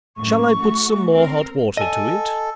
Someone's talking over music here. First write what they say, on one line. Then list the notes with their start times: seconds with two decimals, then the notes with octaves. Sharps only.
Shall I put some more hot water to it?
0.17 F#2 A2 C#6
0.58 A3 F#4
1.13 C4 A#4
1.77 A4 D#5 G#5